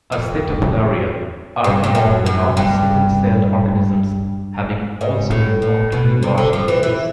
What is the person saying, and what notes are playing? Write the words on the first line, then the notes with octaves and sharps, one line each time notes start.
"Acetabularia" are among the largest single-celled organisms, having also a remarkably large nucleus.
F2
G2
G2
F#2
F#2
G2
G#2
A2
A2
B2
C3
D3
F3
E3
E3